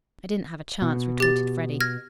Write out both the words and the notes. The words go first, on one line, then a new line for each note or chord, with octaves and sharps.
"I didn't have a chance," retorted Freddy.
B2
G4 A6
F6 G#6 A#6